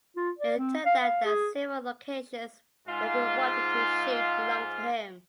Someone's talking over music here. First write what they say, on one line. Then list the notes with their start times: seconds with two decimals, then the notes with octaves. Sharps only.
It turned out that several locations where we wanted to shoot belonged to him.
0.16 F4
0.38 D5
0.58 C4
0.85 F5
1.01 F5
1.25 G#4
2.87 G#2 F4